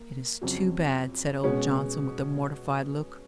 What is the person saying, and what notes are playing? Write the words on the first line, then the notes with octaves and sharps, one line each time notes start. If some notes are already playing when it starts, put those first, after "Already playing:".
"It is too bad," said old Johnson, with a mortified look.
Already playing: A#3
F2 C#3 F#3
B2 G#3 C#4